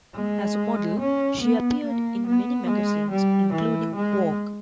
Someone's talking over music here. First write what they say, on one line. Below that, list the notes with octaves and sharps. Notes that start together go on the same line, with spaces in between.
As a model, she appeared in many magazines including "Vogue".
G#3
C#4
B3
A#3
B3
G#3
G3
E3
G#3